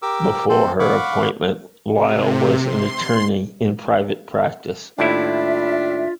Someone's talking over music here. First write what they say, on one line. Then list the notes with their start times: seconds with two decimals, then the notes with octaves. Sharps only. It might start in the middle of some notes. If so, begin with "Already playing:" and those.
Before her appointment, Lyle was an attorney in private practice.
0.02 G4 A#4 D6 E6
0.49 C4 A4 C5
0.79 F5 F#5 B5 C#6 D6
1.94 C3
2.61 C6
4.98 D#2 A2 D4 E4 F4 E5